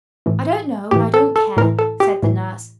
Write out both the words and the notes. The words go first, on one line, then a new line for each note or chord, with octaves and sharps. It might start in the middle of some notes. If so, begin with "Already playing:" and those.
"I don't know and I don't care," said the nurse.
A2 E3
A2 E3 G4
A4
A4
A2 E3 A#4
A4
G4
A2 E3